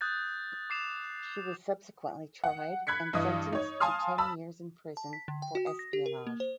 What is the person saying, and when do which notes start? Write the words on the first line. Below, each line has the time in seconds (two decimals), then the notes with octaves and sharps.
She was subsequently tried and sentenced to ten years in prison for espionage.
0.01 D#6 F#6 G6 A6
0.70 D6 C7 E7 F7
2.44 F#5
2.87 B5 F#6 G#6 B6 C#7
3.13 G2 E3 D#5 D#6
3.53 D#4 C#5
3.80 F5 G#5 A5 C6 D#6 F6
4.18 A5 B5 E6
4.97 A5
5.13 B6
5.28 D3
5.42 G5
5.55 F#4
5.67 D#6
5.79 A#6
5.93 G4
6.06 A#4
6.27 A#3
6.40 C5